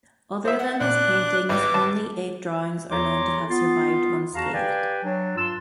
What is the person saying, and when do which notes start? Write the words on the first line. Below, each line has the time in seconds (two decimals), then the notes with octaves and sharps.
Other than his paintings, only eight drawings are known to have survived unscathed.
0.45 C5 E5
0.59 F#5
0.80 A#1 D4 F#6
1.49 G#1 G3 B4 D6
1.74 G#1 A5
2.90 E2 A4 C#5 A#5 C6 D6
3.48 B3 F4
4.34 E2 F#4 F5 A5 A#5
4.53 G4 B4 D5 F5 G5 G#5
5.03 F#3 D4
5.36 G2 F4 A5 C6 E6